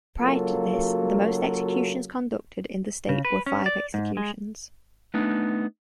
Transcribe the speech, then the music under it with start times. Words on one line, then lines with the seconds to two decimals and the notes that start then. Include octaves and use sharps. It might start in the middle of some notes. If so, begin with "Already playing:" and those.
Prior to this, the most executions conducted in the state were five executions.
0.22 C#3 F#3 A#3 F4 F#4 A4
3.09 C#3
3.25 B4
3.46 C#4
3.66 D5
3.94 G#2
4.17 G#3
5.14 A3 B3 D4 D#4